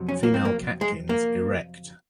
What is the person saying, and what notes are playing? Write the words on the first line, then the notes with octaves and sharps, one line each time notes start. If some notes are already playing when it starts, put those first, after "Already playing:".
Female catkins erect.
Already playing: F2 C3 F#3
C#4
A#3
C4
A#3
G#3
A#3